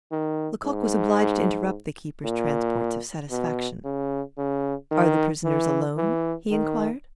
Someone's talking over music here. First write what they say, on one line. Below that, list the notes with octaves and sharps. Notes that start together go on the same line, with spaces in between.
Lecoq was obliged to interrupt the keeper's transports of satisfaction. "Are the prisoners alone?" he inquired.
D#3
G#2
A#2
B2
C#3
C#3
D#3
E3
E3
D#3